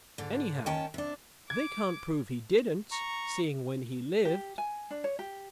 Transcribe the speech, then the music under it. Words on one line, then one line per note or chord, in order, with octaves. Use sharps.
Anyhow, they can't prove he didn't, seeing when he lived.
G#2 D3
D#3 C#4 G5 A5
C3 D4
D6 G#6
A#5 C#6
G4
G#5
D4
C#5
G4